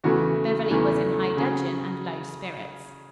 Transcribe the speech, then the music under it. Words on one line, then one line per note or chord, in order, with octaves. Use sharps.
Beverly was in high dudgeon and low spirits.
E2 C#3 E3 A3 F#4
E2 C#3 E3 A3
C#3 F#3 C#4 G#4